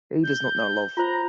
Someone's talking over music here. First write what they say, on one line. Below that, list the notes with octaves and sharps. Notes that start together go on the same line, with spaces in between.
He does not know love.
G6
F4 C5 A#5